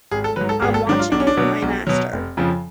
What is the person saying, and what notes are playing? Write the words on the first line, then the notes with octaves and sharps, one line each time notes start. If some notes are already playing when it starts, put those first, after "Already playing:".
I'm watching for my master.
G#1 G#4
A4
G#2 F#3 B4
A4
G#1 G#4
A4
G#2 F#3 D4
F4
B1 D4
C#4
D4
B2 F#3
B1
B2 F#3
F1
F2 C#3 F3